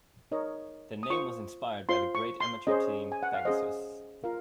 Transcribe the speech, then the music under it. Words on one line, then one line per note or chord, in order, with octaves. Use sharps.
Their name was inspired by the great amateur team Pegasus.
D#4 A#4 C#5 D#5
D#6
F4 C5 C#6
F4 C5 C6
C#6
C6
C#4 G#4 C5 D#5
G#5
F#5
F5
C#4 G#4 C5 D#5
F4 A#4 F5